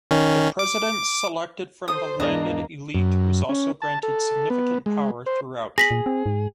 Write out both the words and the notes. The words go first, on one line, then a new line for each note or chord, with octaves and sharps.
The president, selected from the landed elite, was also granted significant power throughout.
D#3 C#4
D6
F#4 A4 C5 D#6
E2 G#2 A#3 D4 E4 G#4 D5 D#5
F#2
C#4
A5
A4
B3
G#3
C5
G#4 A#6 B6 F#7
A#2
C4
G#2